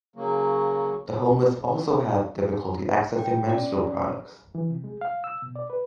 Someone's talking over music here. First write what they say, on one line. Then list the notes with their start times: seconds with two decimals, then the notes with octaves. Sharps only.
The homeless also have difficulty accessing menstrual products.
0.16 C#3 F#3 A#3
3.19 G5
3.50 C#4 D5
4.55 E3
4.70 C3
4.84 G#3
5.01 F5
5.24 E6
5.42 B2
5.56 D5
5.70 B4